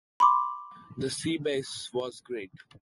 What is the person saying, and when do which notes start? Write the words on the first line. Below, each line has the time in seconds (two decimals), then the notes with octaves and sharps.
That seabass was great.
0.20 B5 C6 D6